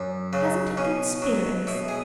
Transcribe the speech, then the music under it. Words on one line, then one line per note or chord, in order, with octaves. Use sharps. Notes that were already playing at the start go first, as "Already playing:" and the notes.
"Hasn't he good spirits?"
Already playing: F#2
C#3 F#3
B2 C#4
F#3
B2 E4
G#4